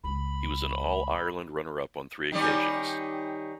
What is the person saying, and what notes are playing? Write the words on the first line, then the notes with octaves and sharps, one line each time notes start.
He was an All-Ireland runner-up on three occasions.
C#2 G#3 B5
D#3 G3 C#4